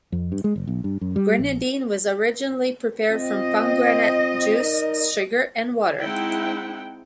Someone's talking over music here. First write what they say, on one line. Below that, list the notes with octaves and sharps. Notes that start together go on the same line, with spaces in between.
Grenadine was originally prepared from pomegranate juice, sugar, and water.
F2
G2
G#3
F#1
B1
G2
F#2
G3
A#1
C4 F4 D#5
D#4 A#4 D5
G#3 C4 D#4 E4 F#5 G5